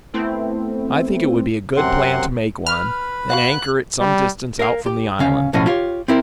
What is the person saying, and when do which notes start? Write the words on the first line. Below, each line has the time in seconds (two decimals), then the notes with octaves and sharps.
I think it would be a good plan to make one, then anchor it some distance out from the island.
0.14 A3 B3 C4 E4
1.77 F#2 C3 C4 F#5 C6
2.67 B4 B5 F6
3.30 F#4 F5 F#5 F#6
4.00 G3
4.59 A#4 F5
4.86 G4
5.19 D2 C#3 C#4 F5
5.53 B1 A2 F3 C#4 D#5
5.66 E4 F4 G4 C#5
6.08 C4 E4 A#4